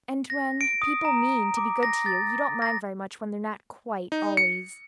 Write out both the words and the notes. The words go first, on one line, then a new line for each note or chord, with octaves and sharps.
And when people mean to be good to you, you don't mind very much when they're not quite--always.
A#6
D7
D#6
A#5
D6
A#6
A6
A#6
D#4
C#7